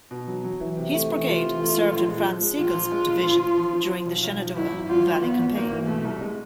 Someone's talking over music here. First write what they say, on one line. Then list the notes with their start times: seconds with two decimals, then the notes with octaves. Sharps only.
His brigade served in Franz Sigel's division during the Shenandoah Valley Campaign.
0.11 B2
0.28 F#3
0.44 F#3
0.60 E3
0.77 C3
0.93 A3
1.09 E3
1.26 C3 F4
1.42 E3
1.60 A3
1.76 E3
1.92 A#1
2.08 G#3
2.25 F3
2.41 G#3
2.58 A#1 F4
2.75 F3
2.92 G#3
3.08 A#2
3.24 F3
3.40 F3
3.57 F3
3.73 F3
3.91 F3
4.06 B1
4.22 B1
4.39 F3
4.56 G#1 E4
4.72 F#2
4.88 G#1 F4
5.06 G#1
5.22 G#1 B3
5.39 G#1
5.55 G#1 A#3
5.71 E3
5.87 B2 A3
6.05 C2
6.21 G#3